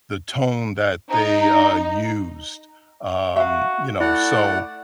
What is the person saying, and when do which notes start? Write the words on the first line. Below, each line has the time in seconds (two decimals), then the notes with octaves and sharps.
The tone that they, uh, used, um, you know? So,
1.10 D#4
3.36 F#4 E5 F5
4.01 A3 E4 D5 F#5